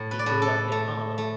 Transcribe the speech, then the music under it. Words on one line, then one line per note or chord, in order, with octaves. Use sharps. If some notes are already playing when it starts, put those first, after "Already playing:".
He grew up in Harlem.
Already playing: A2
B4
D5
A2 B4
A4
A3
A3